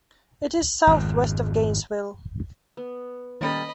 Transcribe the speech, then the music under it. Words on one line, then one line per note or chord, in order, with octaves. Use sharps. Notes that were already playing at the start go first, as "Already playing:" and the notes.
It is southwest of Gainesville.
G#1 F2
B3
A#2 D#3 G3 A#3 C#4 A4 D#5 B5